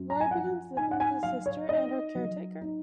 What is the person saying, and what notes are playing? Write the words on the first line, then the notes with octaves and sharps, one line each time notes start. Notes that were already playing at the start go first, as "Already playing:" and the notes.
Ryo begins living with his sister and her caretaker.
Already playing: F#2
A#5
G#5
F3 F#5
D#4 G#5
F#5
G#5
F#3 F5
C#5
D#4 D#5
F#3
D#4